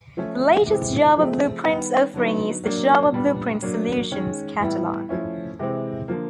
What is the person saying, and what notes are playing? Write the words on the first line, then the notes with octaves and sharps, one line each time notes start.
The latest Java BluePrints offering is the Java BluePrints Solutions Catalog.
F3 A3 C#4
C3 E3 G#3 C4
C#3 F3 A3 C4
D#3 G3 B3
D3 F#3 B3 D#4
F#3 A#3 D4
A#2 G3 B3 D4
F#3 A#3 D4
D#3 G#3 C#4
A2 E3 G3 B3 E4
F3 A3 C#4 E4
C3 E3 G#3 C4
D3 F3 A#3